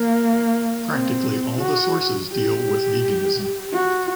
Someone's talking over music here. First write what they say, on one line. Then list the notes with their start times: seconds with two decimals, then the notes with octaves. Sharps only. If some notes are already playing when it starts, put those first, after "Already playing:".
Practically all the sources deal with veganism.
Already playing: A#3
0.90 C4
1.61 F#4
2.31 G4
3.73 F#4